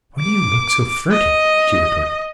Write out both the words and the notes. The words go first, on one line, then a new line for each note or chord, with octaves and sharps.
"Why do you look so furtive?" she retorted.
D6
D#5